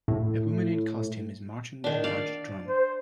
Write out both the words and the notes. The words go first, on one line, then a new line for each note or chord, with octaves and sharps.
A woman in costume is marching with a large drum.
A2
D#3 D4
D5 F5
C5